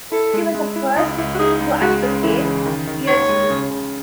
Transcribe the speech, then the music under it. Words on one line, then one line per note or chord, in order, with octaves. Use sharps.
She was the first to advocate beard-shaving.
E4 A4
G#3
G#3
E4
C#2 D#4
C#2 E4
F#4
D#4 G#4
C#2
G#3 F#4
C#3
E3 E4
C#3
D#3
D#3
D#2 C#5
G#3
C#3
C#3